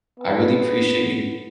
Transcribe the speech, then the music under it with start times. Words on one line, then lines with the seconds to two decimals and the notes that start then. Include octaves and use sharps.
I really appreciate you
0.19 B3